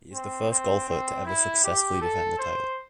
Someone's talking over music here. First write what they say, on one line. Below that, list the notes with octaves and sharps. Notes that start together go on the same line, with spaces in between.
He is the first golfer to ever successfully defend the title.
C4
C4
C4
E4
G4
A4
C5